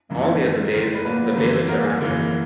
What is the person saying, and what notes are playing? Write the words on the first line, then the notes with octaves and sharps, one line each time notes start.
All the other days the bailiffs are after him.
F#2 E3 A#3
F#2 D#3 G#3
G#2 D#3 G#3 A#4
B4
A#2 F#3 A#3 B4
F#2 E3 G#3
G#2 F#3 A#3 A#4
G#4
F#2 C#3 E3 A#3 A#4